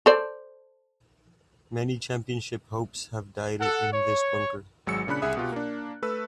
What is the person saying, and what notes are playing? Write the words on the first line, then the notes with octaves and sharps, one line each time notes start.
Many championship hopes have died in this bunker.
A4 C5 D5
A4 F#5
C#5
G#1 F#3 G#3 E6 C#7
A#2 C#3 D4 B5 F#6
C2 G#4 E5 D#6
B2 F4 G4
A#3 D4
A3 B4 E6